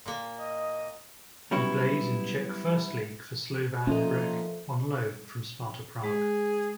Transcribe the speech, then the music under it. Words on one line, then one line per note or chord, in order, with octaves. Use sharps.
He plays in Czech First League for Slovan Liberec on loan from Sparta Prague.
A#2 A#3
D#5
F#3 G3 B3 C#4 E4 F#4
A#2 F3 C#4 D#4 A4 A#4 E5
G#3 G#4